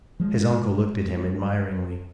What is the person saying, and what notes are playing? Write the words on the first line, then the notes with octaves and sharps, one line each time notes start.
His uncle looked at him admiringly.
F3 G#3